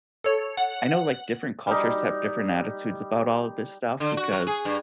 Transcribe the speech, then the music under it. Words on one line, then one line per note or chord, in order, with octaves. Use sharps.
I know, like, different cultures have different attitudes about all of this stuff because,
A4 C#5
F#5
G3 D#4
D3
F#4
F#3
G#4
G2